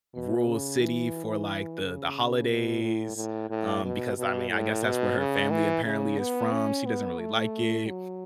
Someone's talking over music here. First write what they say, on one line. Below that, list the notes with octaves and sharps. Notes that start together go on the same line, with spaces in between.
rural city for, like, the the holidays, um, because, I mean, I guess that's where her family apparently is from. She doesn't really like it,
B2
C#3
E3
C#3
B2
A2
A2
A2
B2
B2
A2
B2
C#3
E3
C#3
B3
C#4
B3
A3
F#3